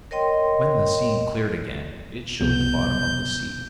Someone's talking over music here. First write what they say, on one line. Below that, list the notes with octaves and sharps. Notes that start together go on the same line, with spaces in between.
When the scene cleared again, it showed the bottom of the sea.
A#4 C#5 D#5 G5 C6
C2 B2 B3 C4 G6